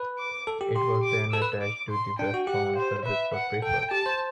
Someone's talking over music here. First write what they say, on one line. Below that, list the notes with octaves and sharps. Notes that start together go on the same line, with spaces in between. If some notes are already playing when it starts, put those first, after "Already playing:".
It was then attached to the westbound service for breakfast.
Already playing: B4
D6
A4
G4
G4 C6
D6
A4 E6
B4
D6
C6
D4 G5
F#4
G4 F#5
C5
B4 E5
F#5
A4 G5
G4 A5
C5